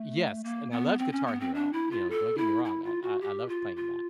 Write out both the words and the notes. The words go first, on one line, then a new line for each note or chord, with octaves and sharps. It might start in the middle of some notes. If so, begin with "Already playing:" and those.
Yes, and I loved Guitar Hero, you know, don't get me wrong, I I I loved playing that,
Already playing: A3
A#3
B3
C4
C#4
B3
C4
D4
E4
F4
A4
E4
E4
F4
F#4
G4
F4
F4